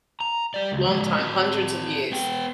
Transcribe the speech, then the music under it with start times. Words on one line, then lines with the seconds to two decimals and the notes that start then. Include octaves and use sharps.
Long time, hundreds of years.
0.20 A#5
0.54 G3 D5
0.72 C#2
0.88 F3 G#3
1.19 C4 F#4
2.12 B3 G5